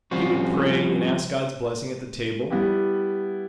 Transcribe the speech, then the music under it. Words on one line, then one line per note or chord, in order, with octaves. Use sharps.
He would pray and ask God's blessings at the table.
F3 G3 C4 C#4 F4 F#4
G3 B3 E4 G4